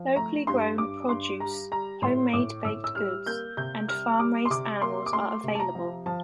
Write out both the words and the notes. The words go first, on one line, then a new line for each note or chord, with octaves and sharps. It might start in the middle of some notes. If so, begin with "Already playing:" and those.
Locally grown produce, homemade baked goods, and farm-raised animals are available.
Already playing: F3
A3 A#5
G2 C6
G2 D6
G2 C6
G3 A#5
G3 A#5
A2 C6
A2 D6
A2 E6
E6
G3 F6
A#3 G6
C3 G6
G3 F6
G3 D6
C6
C3 D6
A#3 C6
D6
A3 C6
C3
A5
A#5
F3
F3 A5